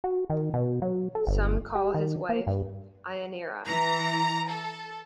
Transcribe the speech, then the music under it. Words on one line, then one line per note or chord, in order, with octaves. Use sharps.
Some call his wife Ianeira.
F#4
D#3
B2
F#3
A4
G1
G4
D#3
A#3
G2
E3 A#5
A4